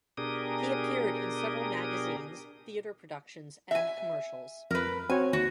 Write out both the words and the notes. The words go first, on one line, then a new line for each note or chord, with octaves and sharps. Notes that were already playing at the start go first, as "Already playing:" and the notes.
He appeared in several magazines, theater productions, and commercials.
B2 D4 G4 G#4 A#4 D#6
E5 G#5
F2 A#4 B4
C4 F#4 C#5 G#5
D#2 F#4